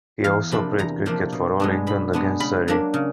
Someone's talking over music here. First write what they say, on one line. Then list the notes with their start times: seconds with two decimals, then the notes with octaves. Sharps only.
He also played cricket, for All England against Surrey.
0.24 E2 F5
0.51 C3 F3 A#3 D4 B5
0.79 E2 A#5
1.06 C3 F3 A#3 D4
1.32 B2
1.60 G#3 B3 D4
1.87 B2 B5
2.13 G#3 B3 D4
2.40 C#3 B5
2.68 F#3 A#3 D4
2.94 C#3